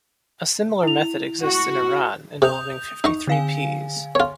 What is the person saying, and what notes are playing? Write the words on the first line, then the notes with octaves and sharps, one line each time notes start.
A similar method exists in Iran, involving fifty-three peas.
E4 F7
F#4
C3 D#6 G6 F7
D#4 D#5 C#6
D3 F5 G#5
F4 C#5